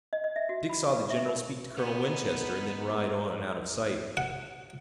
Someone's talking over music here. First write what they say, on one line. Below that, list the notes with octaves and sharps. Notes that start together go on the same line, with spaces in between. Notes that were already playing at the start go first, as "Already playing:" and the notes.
Dick saw the general speak to Colonel Winchester and then ride on and out of sight.
D#5
D#5
E5
F#4
B5
F4
B4
E5
A#4
B3 D#4
F#5